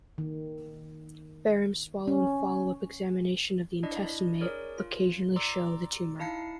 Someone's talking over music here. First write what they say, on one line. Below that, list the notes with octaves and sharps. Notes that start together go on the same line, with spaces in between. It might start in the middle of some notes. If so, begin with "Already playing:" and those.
Barium swallow and follow-up examination of the intestine may occasionally show the tumor.
D#3
C#4
D4 E4 D5 D#5
G#4 A#4 C#5 D5
F4
D5 A#5 C6 D6 E6
D#4 E4 F5 A5 C7 C#7